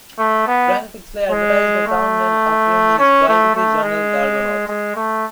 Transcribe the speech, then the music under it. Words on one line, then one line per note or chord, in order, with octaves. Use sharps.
Frank Pixley advertised the town named after him in his biweekly journal "The Argonaut".
A3
B3
G#3
A3
C#4
A3
A3
G#3
G#3
A3